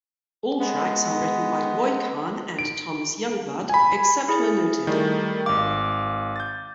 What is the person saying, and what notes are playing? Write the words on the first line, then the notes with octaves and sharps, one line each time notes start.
All tracks are written by Roy Khan and Thomas Youngblood, except where noted.
G#3 B3
D7
G#5 B5
E4 G#4
D#3 G3 A3
G#1 F5 D6
G6 A6